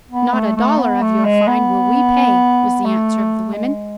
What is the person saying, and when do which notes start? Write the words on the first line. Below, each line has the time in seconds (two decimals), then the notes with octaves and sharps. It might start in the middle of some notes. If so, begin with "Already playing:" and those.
"Not a dollar of your fine will we pay," was the answer of the women.
0.11 B3
0.34 A3
0.56 A3
0.79 B3
1.02 A3
1.25 G#3
1.48 B3
2.85 A3
3.53 G#3